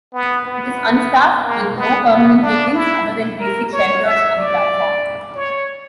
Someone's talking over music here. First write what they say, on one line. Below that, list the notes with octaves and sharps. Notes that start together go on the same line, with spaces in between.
It is unstaffed, with no permanent buildings other than basic shelters on the platform.
B3
B3
A#3
B3
B3
D4
E4
A#4
C#5
E5
D5
C#5